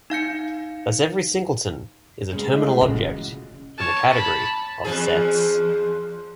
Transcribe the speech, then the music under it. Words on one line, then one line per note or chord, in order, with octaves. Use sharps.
Thus every singleton is a terminal object in the category of sets.
D#4 F5 G6 C#7
C#3 G#3 C#4 G#4
A3 E4 D#5
C#3 E3 G#3 C#4 F4 F#4
C#5 A5
A5 B5
E2 F3 G#4